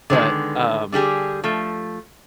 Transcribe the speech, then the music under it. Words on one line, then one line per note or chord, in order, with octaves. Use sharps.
but, um,
D3 D#3 G#3 B3
D3 G3 G4 G#4
F3 A3